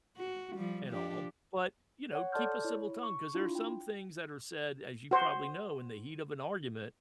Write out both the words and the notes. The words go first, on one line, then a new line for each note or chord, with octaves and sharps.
and all, but, you know, keep a civil tongue, 'cause there are some things that are said, as you probably know, in the heat of an argument,
F#4
F3 G3
F3 D4 G4
C#5 F#5
A4 D5 A5 C6 F6 G6
E4 C#5
C#6
D4 E4 F4
G5
F#4 C5